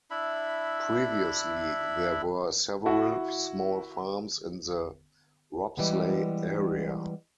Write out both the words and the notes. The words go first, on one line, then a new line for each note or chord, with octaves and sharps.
Previously there were several small farms in the Ropsley area.
D4 E4 E5 B5
E4 F#4
E3 G3 G#3 B3